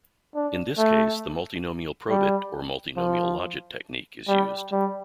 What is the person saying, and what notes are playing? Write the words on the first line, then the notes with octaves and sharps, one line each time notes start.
In this case, the multinomial probit or multinomial logit technique is used.
D4
A3
G3
F3
G3
G3